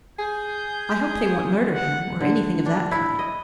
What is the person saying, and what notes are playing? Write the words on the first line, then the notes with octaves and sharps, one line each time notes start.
I hope they won't murder him, or anything of that kind.
G#4 G6
F#5
D3
D4
E4
D#5